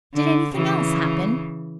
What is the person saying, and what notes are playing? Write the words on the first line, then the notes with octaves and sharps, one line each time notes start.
"Did anything else happen?"
D3
C#3 E3